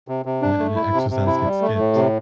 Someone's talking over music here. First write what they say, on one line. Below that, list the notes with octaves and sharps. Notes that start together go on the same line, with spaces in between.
Yeah, the exercise gets skipped.
C3
C3
D4
A3
E4
C3
C3
E4
G3
A3
A2
C3